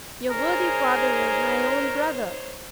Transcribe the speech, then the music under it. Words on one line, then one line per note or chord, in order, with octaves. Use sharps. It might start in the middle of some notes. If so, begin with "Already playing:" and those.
Your worthy father was my own brother.
D#4 G#4 A#4 C5 C#5